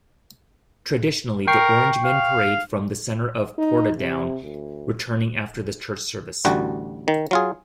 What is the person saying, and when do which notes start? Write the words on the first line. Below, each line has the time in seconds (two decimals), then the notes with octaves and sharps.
Traditionally the Orangemen parade from the centre of Portadown, returning after the church service.
1.47 A#4 G5 C#6 C7
2.06 F5
3.58 D#4
3.98 C3
4.43 D2
6.45 A1 D2 G3 F#4
7.08 D#3
7.31 F#3 F4 G#4